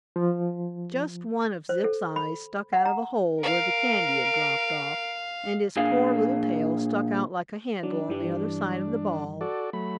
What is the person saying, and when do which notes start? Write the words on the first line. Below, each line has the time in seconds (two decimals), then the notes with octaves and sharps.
Just one of Zip's eyes stuck out of a hole where the candy had dropped off, and his poor little tail stuck out like a handle on the other side of the ball.
0.16 F3
1.69 C5
1.84 A4
2.16 B5
2.73 F#5
2.85 A#5
3.43 A#4 F5 D7
5.76 A#2 D4 G#4 F5
7.83 F#3 D4
8.08 G2 E3 G3
9.41 F#4 A4 D5
9.73 F#3 A3 B5